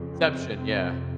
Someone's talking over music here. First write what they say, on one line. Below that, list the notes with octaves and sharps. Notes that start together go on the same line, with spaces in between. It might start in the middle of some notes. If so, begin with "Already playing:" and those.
Inception. Yeah.
Already playing: F2 C#3
C4
F2 C3 C4